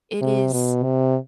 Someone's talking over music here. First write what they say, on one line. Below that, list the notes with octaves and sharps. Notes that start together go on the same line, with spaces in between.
It is
C3
B2
C3